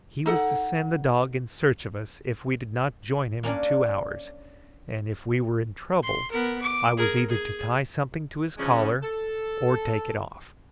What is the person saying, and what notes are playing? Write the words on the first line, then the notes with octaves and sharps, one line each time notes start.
"He was to send the dog in search of us if we did not join him in two hours; and if we were in trouble I was either to tie something to his collar or take it off."
D#4 A4 F#5
A#3 C#4 D4 A#4
C6
B3 A#4
D6
G#4 A#4
G#4
C#3 F3 G#3 C#4 D4
A4